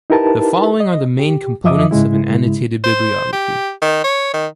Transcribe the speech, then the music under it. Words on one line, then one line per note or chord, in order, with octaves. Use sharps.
The following are the main components of an annotated bibliography.
D#4 E4 G4 A#4 B4 A5
D#5
G4
F#2 F3 D#5 E5 D6 D#6
G#2 C#3 G#3 E4
C5
G4
D#3
C#5
D#3